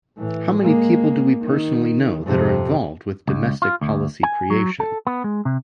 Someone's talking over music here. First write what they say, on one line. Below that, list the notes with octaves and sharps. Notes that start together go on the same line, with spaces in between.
How many people do we personally know that are involved with domestic policy creation?
A2 E3
G#3 A#3
D#3
F2 C3
C#2
F4
D2
G#5
F#3
A4
B3
G#3
C3